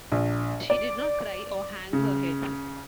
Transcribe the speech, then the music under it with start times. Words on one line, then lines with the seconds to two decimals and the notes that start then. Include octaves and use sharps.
She did not cry or hang her head.
0.12 A#1
0.70 D5
1.93 C#3